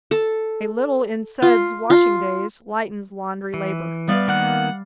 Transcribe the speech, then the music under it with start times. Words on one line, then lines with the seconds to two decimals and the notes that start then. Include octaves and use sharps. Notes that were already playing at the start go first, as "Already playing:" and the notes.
A little in suds washing days lightens laundry labor.
0.11 A4
1.42 F4
1.90 F4
3.54 E3
4.08 G3 B3 D5 F5
4.28 D#3 A#3 B3 F#5